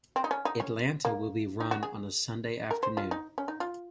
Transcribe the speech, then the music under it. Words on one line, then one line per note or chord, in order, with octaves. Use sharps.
Atlanta will be run on a Sunday afternoon.
C4
D#4
C#4
D#4
C#4
A#3
D#4
F#4
G#4
A#4
C5
F4
D#4
C#4
D#4
F4